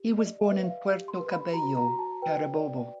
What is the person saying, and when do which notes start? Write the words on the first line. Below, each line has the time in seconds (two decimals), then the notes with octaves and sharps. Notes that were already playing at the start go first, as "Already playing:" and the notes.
He was born in Puerto Cabello, Carabobo.
Already playing: G4
0.18 D5 D#5
0.41 E5
0.52 B4
0.64 F5
0.86 G4
1.08 C6
1.20 B4
1.31 B5
1.53 F#4 A#5
1.77 A#5
1.88 F#4
1.99 A5
2.22 B4 G5
2.56 D5